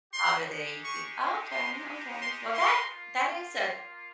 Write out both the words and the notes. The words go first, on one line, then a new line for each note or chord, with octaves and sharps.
how do they ge Okay, okay, well, that that is a
G#3 D#4 G4 C6
C#6
C6
C6
C6
A#3 F4